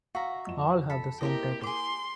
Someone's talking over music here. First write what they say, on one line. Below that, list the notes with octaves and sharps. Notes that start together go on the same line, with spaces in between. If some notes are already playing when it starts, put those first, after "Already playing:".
All have the same title.
F#4 E5 F5 A#5
F2 E7
A4 B5
A#3 E4 G4 A#4 C5 D#5
G#4 C6 D6